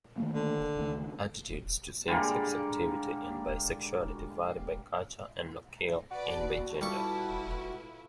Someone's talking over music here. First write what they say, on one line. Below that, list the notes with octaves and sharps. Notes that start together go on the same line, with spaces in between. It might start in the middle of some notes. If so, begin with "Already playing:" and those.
Attitudes to same-sex activity and bisexuality vary by culture and locale, and by gender.
D#3 A3 A#3
D3
C#2 D#3 A3
D3 G3 G#3 A#3
F#4 B4 D5
G3 A3 E4 F4 B4 C#6 E6